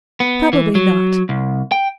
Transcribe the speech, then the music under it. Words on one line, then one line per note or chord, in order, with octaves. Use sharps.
Probably not.
B3
E3
F#3
C2
G5